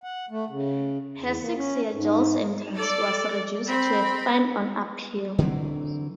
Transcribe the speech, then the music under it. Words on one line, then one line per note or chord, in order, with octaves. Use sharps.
Her six-year jail sentence was reduced to a fine on appeal.
F#5
A3
C#3
E2
A#3
C#4
G#2
A4 D5
C4 B5
D3 E3 F#3 C4